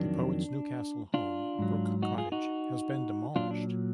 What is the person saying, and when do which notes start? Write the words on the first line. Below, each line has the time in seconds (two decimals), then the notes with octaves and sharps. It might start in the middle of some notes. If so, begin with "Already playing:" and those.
The poet's Newcastle home, Brook Cottage, has been demolished.
Already playing: F2 D#3 F#3 D4
1.14 D4 F4
1.59 G#2 F#3
2.03 D#4 F#4
2.18 F4 G#4
2.32 D#4 F#4
3.36 A#2 F#3 D4 F4
3.51 D4